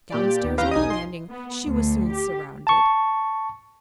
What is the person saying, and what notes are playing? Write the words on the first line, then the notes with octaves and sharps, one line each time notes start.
Downstairs on the landing she was soon surrounded.
A#2 G4 D5
D#2
E2 G4 B4 F5 A#5
B1 D#4 D#5 G#5 D#6
C6
B3
D2
G4
A5 C#6